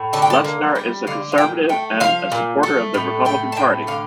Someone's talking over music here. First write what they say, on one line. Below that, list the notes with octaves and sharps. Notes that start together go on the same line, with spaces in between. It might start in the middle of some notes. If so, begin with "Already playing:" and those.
Lesnar is a conservative and a supporter of the Republican Party.
Already playing: A2
D3 A5
G5
A5
A#3
G3 G5
D3 F5
F5
A#2 G5
A3 G5
F3 F5
A#2
A3
A2
A3 G5
A5
A2 G5
D3 F5